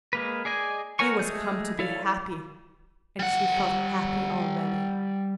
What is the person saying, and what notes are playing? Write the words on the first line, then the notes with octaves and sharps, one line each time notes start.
She was come to be happy, and she felt happy already.
G#3 A#3 B4
G#4 D5 D#5 G#5
F#4 A#4 C#5 G#5 C#6
G#3 A3 G#4 G6
E4 A4 C#5 D5 F5
G3 F#5